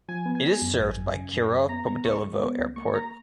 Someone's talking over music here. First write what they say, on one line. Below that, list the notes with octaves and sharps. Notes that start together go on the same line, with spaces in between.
It is served by Kirov Pobedilovo airport.
F3 G#5
B3
G#5
B3
F#2
G#1
F#2
C#3
F#2
F#2
B3 A#5
B3 A#5
C#2 C#6
G#3
B3
C#2
A#3 C#6
A#3 A#5